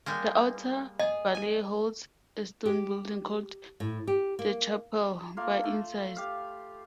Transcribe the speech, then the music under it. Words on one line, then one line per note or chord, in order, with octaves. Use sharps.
The outer bailey holds a stone building called "the chapel", by in size.
G3 G#3 A#3
G#4 D#5
G#5
G4
A2
G4
A#3
A3 A#3 F4
A3
G4 F5